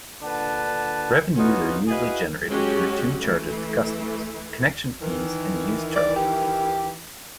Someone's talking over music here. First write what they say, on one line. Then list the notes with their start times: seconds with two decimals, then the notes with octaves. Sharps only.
Revenues are usually generated through two charges to customers: "connection fees" and "use charges".
0.22 A#2 D3 D4 B4 F#5 A5
1.36 E3 B3 C#4 D#4 F4 F#4
1.88 E4 F#4 G#4 B4 D#5 F5
2.47 F#3 G#3 C#4 F#4 G4
3.18 E3 A3
5.01 D#3 E3
5.96 D5
6.16 G4